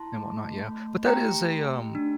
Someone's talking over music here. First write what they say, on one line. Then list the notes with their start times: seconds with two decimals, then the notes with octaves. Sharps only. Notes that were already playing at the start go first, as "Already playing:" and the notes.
and whatnot, yeah, but that is a, um
Already playing: E4 A5 C6
0.17 A3
0.61 A3
1.06 G4 G5 A#5
1.51 A3
1.95 D4